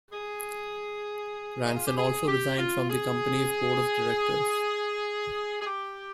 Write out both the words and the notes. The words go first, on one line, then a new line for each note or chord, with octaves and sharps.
Ranson also resigned from the company's Board of Directors.
G#4
D#4
F4
G4
G#4
G4
F4
G#4
G#4
G4